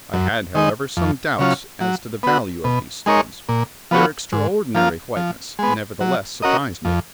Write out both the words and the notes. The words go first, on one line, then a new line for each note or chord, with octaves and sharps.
I had, however, some doubt as to the value of these stones; their extraordinary whiteness, nevertheless surprised me.
F#2
D#3 G#3 D#4
F2
C#3 F#3 C#4 F4
F#3
B3 F#4
B2
G#3 D#4 A#4 C#5
A#2
F3 B3 F#4 C#5
G#2
F3 A#3 F4
F3
G#3 B3
F#3
C#4 F#4 A#4 D#5
F2